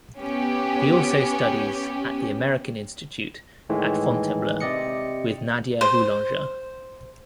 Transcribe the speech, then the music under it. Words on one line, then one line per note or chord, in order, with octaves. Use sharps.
He also studies at The American Institute at Fontainebleau with Nadia Boulanger.
B3 C#4 G4
A2 D#3 E3 G#3
C3 G4 D5 D#5 C#7
C5